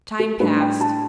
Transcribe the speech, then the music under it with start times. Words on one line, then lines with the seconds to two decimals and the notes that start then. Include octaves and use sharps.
Time passed.
0.19 A4
0.40 A2 G3 D4 B4
0.60 G5
0.81 A5